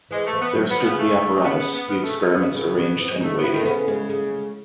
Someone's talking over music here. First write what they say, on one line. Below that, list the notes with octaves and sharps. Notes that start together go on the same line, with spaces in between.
There stood the apparatus, the experiments arranged and waiting.
E3 G#3
A3
E3
B3
F#3
D#3 B3
C#3 B3
A3
B3
B3
B3
D#3 B3
A3
C#3
B3
D#3 B3
C#3
C#3
E3
F#3 G#3
A3 D#4
B3
E4
D#3
A3
C#3 B3
G#3
G#3